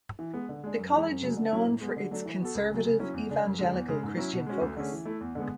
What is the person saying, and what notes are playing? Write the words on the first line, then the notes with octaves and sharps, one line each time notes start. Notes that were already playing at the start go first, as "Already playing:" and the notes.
The college is known for its conservative evangelical Christian focus.
E3
G#3 B3
D3
G#3 D4
F#2
E3 G#3
F#2
C#3 F#3
D3
F#3 C#4 E4
A2
G#3 B3
D3
F#3 A3 D4 A4
E3
B3 F#4 A4
C#2
C#3 F#3
C#3
F#3 C#4 E4
E2
C#3 G#3 D4
F#2
D3 G#3
E2
C#3 G#3
G#2
F#3 C#4 E4
B2
G#3 C#4 F#4
D2
D3 A3 C#4 G#4
E3
A3 E4
E2
D3 G#3 B3